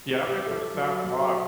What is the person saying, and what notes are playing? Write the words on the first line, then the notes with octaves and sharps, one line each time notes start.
Yeah, I've been to the South a lot.
G4
E5
A4
F#3
F#3
F#4